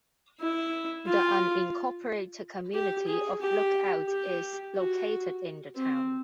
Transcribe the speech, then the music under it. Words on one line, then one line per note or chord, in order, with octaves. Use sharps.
The unincorporated community of Lookout is located in the town.
E4
F4
G4
G#4
G4
G4
F#4
C4